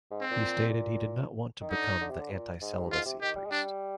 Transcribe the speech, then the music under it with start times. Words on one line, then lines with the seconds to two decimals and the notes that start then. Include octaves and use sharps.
He stated he did not want to become the "anti-celibacy priest".
0.11 G#2
0.21 C4
0.31 A#2
1.61 D#3
1.71 D3 D#4
2.01 D3
2.10 C3
2.20 D3
2.31 A#2
2.61 G#2
2.86 G2
2.91 G#2 F4
3.06 C3
3.21 D#3 G4
3.36 G3
3.46 G#3
3.50 G3 D4